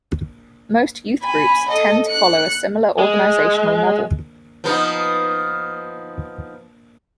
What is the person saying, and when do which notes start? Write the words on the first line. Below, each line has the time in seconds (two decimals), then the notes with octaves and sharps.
Most youth groups tend to follow a similar organizational model.
1.22 G#5 B5
1.69 A4 D#5
2.08 F#6 C#7
2.99 G#3
4.64 F3 B3 D#4